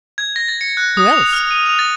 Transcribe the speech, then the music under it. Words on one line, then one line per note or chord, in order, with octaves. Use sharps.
"Who else?"
G#6
A#6
A6
C#7
F#6
D#6
F7
F6
D#7
F7
A6